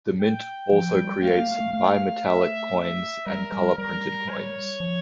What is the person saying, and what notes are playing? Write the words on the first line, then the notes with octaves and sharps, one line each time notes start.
The mint also creates bi-metallic coins, and colour printed coins.
G5
F3 G5
G3
A3 F5
A#3
A3
A3
A3 F5
E5
E5
G3 A#4
G3
G3 A#4
C#5
F3